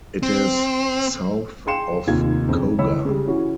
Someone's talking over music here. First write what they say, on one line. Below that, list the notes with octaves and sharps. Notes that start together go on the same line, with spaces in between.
It is south of Cogar.
C4
G#4 F5 G5 C6 C#7 E7
F1 D#2 A#3 F4 G#6
F2 C#3
C#2 E3 C#5 B5 E6
C#3 G3
E3 C#4 F#4